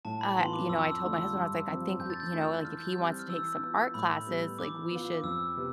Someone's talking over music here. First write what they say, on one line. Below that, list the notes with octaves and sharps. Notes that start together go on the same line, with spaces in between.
uh, you know, I told my husband, I was like, "I think we" you know, like, "if he wants to take some art classes," like, "we should
A2 A5
B5
E3 B3 F4 C6
D6
F2 E6
E6
D3 A3 D4 F4
E6
G2
C4
F3
F2 G6
A6
G6
E3 A3 D4 F4
E3 F6
G6
F6
G3 C4
F6
E3 E6
B3 F4
A2 B5
G3 B3
E3 D6
B3 F4
D6
F2 E6
C3 B3